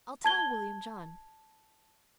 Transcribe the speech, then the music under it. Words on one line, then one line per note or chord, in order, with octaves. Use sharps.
I'll tell William John.
A5 G#6 G7